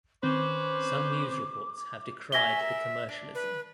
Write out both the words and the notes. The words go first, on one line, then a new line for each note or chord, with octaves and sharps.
Some news reports have decried the commercialism.
D#3 C4 C#4 B4 C5 D6
F#4 A#4 E5 G#5 A#6 G7
A#4
D4
B4